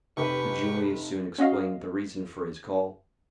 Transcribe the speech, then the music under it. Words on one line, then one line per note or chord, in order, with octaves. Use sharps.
But Julius soon explained the reason for his call.
F1 G4 B4 C#6
C#4 F#4 D#5 F5